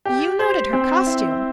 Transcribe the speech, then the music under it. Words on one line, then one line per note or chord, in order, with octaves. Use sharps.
You noted her costume.
G4
C5
C4
E4